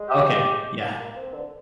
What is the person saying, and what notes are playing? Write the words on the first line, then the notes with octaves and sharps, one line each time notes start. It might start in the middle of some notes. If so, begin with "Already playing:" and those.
Okay, yeah.
Already playing: G#3
G4
A#3
C4
D3